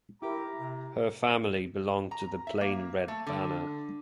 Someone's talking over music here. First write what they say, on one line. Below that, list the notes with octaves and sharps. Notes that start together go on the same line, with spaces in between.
Her family belonged to the Plain Red Banner.
E4 G4 A#4 A#5
C3
A#5
E5
A#3
A3
D3